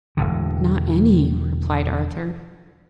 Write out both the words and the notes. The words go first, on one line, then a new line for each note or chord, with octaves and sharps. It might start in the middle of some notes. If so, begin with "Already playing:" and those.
"Not any," replied Arthur.
E1 A#1 A2 D3